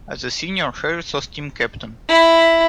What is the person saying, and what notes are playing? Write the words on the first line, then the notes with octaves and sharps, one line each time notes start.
As a senior, Harris was team captain.
E4 B5